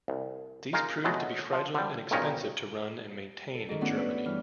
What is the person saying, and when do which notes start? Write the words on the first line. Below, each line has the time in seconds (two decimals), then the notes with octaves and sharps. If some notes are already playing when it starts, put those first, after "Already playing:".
These proved to be fragile and expensive to run and maintain in Germany.
0.08 C2
0.73 D#4 F4 G#4 A#4
1.04 B2 F#3 G#3 A3
1.52 F3
1.74 D3 G3
2.11 B1 G2 D#3 F3 C#4 A#4
3.55 A4
3.68 G#2 D#3
3.81 A3 B3 C#4 D4 E4 F#4
3.97 B4
4.25 G2 E3 F6